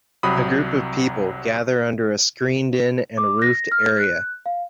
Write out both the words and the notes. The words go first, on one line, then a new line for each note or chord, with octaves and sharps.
A group of people gather under a screened in and roofed area.
C2 C3 F#3 B5 D#6
D6
A#6
F6
F#6
F5